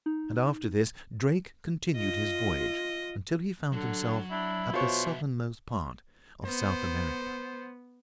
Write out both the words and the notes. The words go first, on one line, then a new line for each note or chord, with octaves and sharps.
And after this Drake continued his voyage, until he found himself at the southernmost part of South America.
D#4
F4 D#5
D3 F#3
D4 E4
B1 B2 F4 C5 C#5 E5
B3 C5